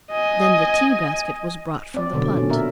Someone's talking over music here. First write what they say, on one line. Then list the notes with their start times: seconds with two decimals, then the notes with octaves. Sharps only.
Then the tea-basket was brought from the punt.
0.12 D#5 G#5
1.94 C4 D5
2.13 B2 D3 F#3
2.32 A#2 C#4
2.50 A#3 A#4 E5